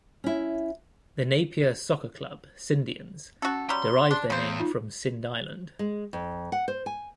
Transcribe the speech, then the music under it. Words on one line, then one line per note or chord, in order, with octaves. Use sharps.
The Napier soccer club Scindians derived their name from Scinde Island.
C#4 E4
C#4 F#4 A4
F#3 G3 C6
D4
E2 C#3 C5
D#4 F4
G#3
F2
F#5
C5
G#5